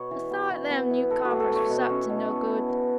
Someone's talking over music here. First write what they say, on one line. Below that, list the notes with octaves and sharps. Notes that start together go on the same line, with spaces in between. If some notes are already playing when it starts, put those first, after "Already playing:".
I thought them newcomers was up to no good.
Already playing: B2 B3 C#5
E3
B3
E3
B3
E3
B3 A4
F#4
A2
A4
B3 C#5
B2
C#4
B2
B2
B3
B3